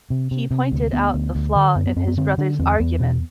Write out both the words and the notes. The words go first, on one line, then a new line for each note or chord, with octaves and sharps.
He pointed out the flaw in his brother’s argument.
C3
C3
C3
D2
D2 B3
D2
D2
D3
F#2 B3
B3
F#2 C4
B3
D3 C4
D3 D4
E2 C4
E2 B3
B2